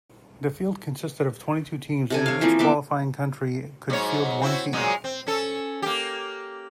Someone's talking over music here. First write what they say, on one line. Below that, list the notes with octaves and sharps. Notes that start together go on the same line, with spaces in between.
The field consisted of twenty-two teams and each qualifying country could field one team.
C3 A4 G#5
C#5 F5
E3 F3 A#3 C4
B3 E5 D6
G#2 F#3 C#5
C4 E4 F#4
A#2 F#3 G#3
C4
C#4 A4
A#3 G4